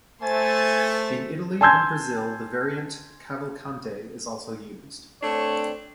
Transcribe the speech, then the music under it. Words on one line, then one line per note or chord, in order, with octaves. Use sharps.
In Italy and Brazil the variant Cavalcante is also used.
A3 C5 G#5 A6
G#5 A5 C6 E6 G6 G#6
A3 C4 D4 C#5